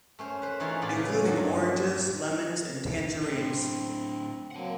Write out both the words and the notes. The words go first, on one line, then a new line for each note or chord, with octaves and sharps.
Including oranges, lemons, and tangerines.
A3 C#4 C5
B4 C5
E3 A3 D#4 F4 G#4 C#5
A2 A3 F4 D5 B5
C#3
G2 A#2 F#3 G3
A2 C4 D4
F#3 A#3 C4 F#5 A5